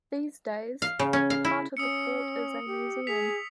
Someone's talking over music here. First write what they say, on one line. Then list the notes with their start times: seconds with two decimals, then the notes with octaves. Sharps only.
These days, part of the fort is a museum.
0.82 F5
0.99 C#3
1.13 C#4
1.30 F5
1.45 E4
1.77 C#4 D#6 E6 C#7
2.67 G4
3.07 G#4 B6 F7